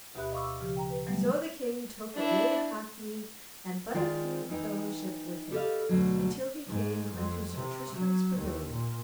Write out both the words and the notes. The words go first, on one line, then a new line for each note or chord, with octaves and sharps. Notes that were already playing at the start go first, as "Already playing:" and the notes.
So the king took a little hackney and but few fellowship with him, until he came unto Sir Tristram's pavilion.
D2 B2 G4 E5 B5 F#6
D#5 F5 B5 C#6 D6 E6
C#3 F3 G4
G5 A#5
B4
E3 F#3 G3 A3 B3
D4 E4
D#3 G#3 F4 A#4 D5 G5
E3 D#4 G5
G4 A4 B4 C5 D#5 F5
D2 B2 F#3
G#2
F2
C3
F#3
D#2
A#2